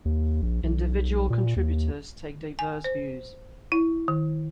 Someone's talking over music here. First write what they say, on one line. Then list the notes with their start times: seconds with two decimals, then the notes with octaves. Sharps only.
Individual contributors take diverse views.
0.05 D#2
0.42 A#1
0.63 B1
1.30 A#2
1.56 D#2
2.59 G#5
2.84 C5
3.72 E4
4.08 D#3